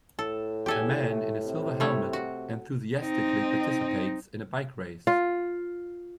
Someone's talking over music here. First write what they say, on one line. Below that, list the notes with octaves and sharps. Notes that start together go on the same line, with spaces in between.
A man in a silver helmet enthusiastically participates in a bike race.
A2 A4
E2 G4 A4 G#5
A3
C3
G3 A3 C#5
F#4
C4 D#4
F4